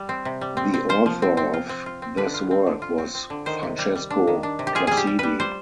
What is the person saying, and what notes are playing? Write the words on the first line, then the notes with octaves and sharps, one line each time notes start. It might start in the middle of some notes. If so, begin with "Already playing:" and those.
The author of this work was Francesco Placidi.
Already playing: G3
C4
C3
G3
C4
C4
F4 C5
F3
C4
C4
F4
C4
F4
C4
D3 B4
F4
C4
D3
F4
C4
C4
D3
D#3 C5
C3
G3
G3
D4
D#3
D4
C3
G4
F4 G#4
G3 G#4
G4
G3
G3 B4
G3 C5